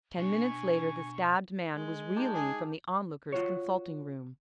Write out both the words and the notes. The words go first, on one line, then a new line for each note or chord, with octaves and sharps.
Ten minutes later, the stabbed man was reeling from the Onlooker's consulting room.
B2 D4 G#5 C#6
G#3
D#4 G4 A5
G#4
F4 F#4 C#5